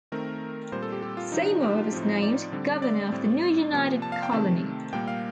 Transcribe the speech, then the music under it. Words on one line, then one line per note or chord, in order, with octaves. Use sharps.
Seymour was named governor of the new united colony.
D#3 A3 C4 A#4
A#2 G3 C4 C5
A4
G4
G4
F4
C3 F3 C4 D#4
D4
G4
F4
A2 F3 C4 F4
D#4
D5
D3 G3 C4
D5
A2 G3 C4
C3 F3 A#3
A5
F5
G5
C3 D#3 A3 C4 A5
A#2 G3 A#3 G5
F5